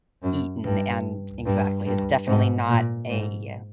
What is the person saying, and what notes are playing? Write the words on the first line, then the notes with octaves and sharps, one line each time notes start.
eaten and exactly, it's definitely not a, uh,
F#2
G2
G2
G2
G#2
A#2
G#2